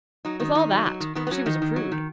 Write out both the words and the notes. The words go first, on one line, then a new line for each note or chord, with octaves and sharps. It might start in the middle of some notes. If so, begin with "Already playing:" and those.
With all that she was a prude.
F#3 D#4
D#3 D#4
D#3 D#4
F#3
F#3
D#3
D#3 B3
B3
F#3 C#4
D#3 D#4
D#3
F#3
D#3